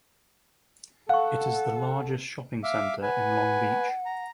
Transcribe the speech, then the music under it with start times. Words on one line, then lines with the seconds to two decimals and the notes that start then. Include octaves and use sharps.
It is the largest shopping center in Long Beach.
1.09 A4 F5 F#5 C#6
2.64 E5 F5 D6
3.02 B4 F#5 G#5
4.06 A#5